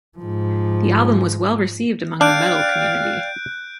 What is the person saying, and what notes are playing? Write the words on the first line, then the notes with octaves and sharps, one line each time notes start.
The album was well received among the metal community.
G#2 F3
D4 D5 F5 G5 F#6 G6 D7